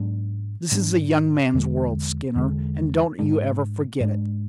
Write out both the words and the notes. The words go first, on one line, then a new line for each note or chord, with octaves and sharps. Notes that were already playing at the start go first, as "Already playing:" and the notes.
This is a young man's world, Skinner, and don't you ever forget it.
Already playing: G#2 F#3 B3 D4
G#2 F#3 B3 D4
E2 D3 G#3
E2 D3 G#3
G#2 G#3 D4
G#2 G#3 D4